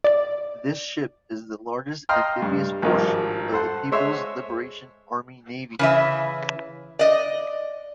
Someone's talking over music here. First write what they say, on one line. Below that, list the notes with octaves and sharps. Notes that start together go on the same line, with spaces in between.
This ship is the largest amphibious warship of the People’s Liberation Army Navy.
D5
D#5 F5 G5 A#5 C6 F6
G2
G#1 G2 F3 D#4 A#4
A4 C5 F#5
G#3 C5 C#5 E5 C6
C#3 E3 E5
D5 D#5